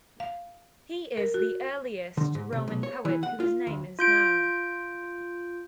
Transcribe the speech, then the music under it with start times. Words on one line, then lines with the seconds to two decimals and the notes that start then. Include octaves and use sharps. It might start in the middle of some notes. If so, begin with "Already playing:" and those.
He is the earliest Roman poet whose name is known.
0.20 F5
1.17 A#4
1.34 F#4
2.17 D3
2.35 G#2
2.52 C3
2.68 B1
2.83 C#5
3.05 E3
3.23 F#5
3.40 F4
3.67 D2
3.99 F4 G6 D7